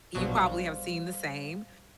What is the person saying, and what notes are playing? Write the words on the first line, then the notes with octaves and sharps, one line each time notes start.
you probably have seen the same.
A#1 B2 F#3 G3 C5 F5